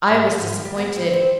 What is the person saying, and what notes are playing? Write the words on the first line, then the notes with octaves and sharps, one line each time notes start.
I was disappointed.
G#2
G#2
D#3
G3
B3
C4
C4